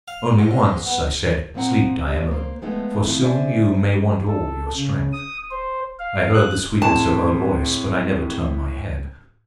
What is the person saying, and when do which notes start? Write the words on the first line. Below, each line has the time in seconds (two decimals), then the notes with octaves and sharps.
Only once I said, 'Sleep, Diamelen, for soon you may want all your strength.' I heard the sweetness of her voice, but I never turned my head.
0.08 F5
0.39 G#2
0.51 G#2
0.86 B3
1.54 A#2 F3 A#3 C4 F#5 A#5
2.07 G#2 G4 D5
2.31 A#3 C5
2.62 F3 G#3 A3 B3 D#4 G#4
3.03 D#3 F3 A3 C4 E4
3.22 G#4 C5 D5 E5 G5 G#5
4.27 A4
4.76 C#3
5.13 D#6
5.51 C5
5.99 F5
6.34 F#6
6.82 A2 C4 G#4 A5